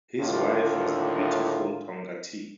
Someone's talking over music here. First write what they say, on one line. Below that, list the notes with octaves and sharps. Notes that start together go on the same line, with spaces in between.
His wife was the beautiful Tongatea.
D#2 A2 D3 F4